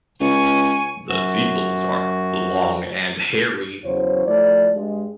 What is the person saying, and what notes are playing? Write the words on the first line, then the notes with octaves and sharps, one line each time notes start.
The sepals are long and hairy.
C#2 G#5 C#6
F#2 F#4
E2 C#3 F#3 E4 C5 C#5
F3 A3 E4 D5
G2 G#3